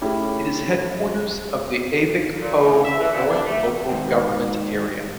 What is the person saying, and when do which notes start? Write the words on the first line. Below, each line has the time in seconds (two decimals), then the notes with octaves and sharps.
It is the headquarters of the Afikpo North Local Government Area.
0.01 A3 C#4 E4 G4 G#4
2.41 A#2
2.59 A2
2.85 E5
3.00 E3
3.12 A#2
3.29 D4
3.46 A3
3.89 D#3 G#3 F#4 C5 G5